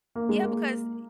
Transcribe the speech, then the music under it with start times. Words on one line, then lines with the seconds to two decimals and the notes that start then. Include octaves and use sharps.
Yeah, because y
0.15 A#3
0.29 G#3
0.43 A#3